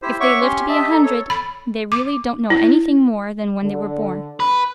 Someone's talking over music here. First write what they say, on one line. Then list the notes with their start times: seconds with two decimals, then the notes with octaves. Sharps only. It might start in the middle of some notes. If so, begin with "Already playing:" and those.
If they live to be a hundred they really don't know anything more than when they were born.
0.02 E4 G4 C5
0.20 C#5 E5 F#5 C#6 D6
0.41 C#4 G4 C6
0.68 G4 D#5 E5 A5
0.92 A4 A#5
1.03 A4 C#5
1.30 B5
1.92 D6
2.50 E4
3.62 D3
4.40 B4